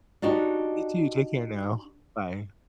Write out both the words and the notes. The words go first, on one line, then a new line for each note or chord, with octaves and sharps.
You too, take care now, bye.
D4 D#4 F#4 G4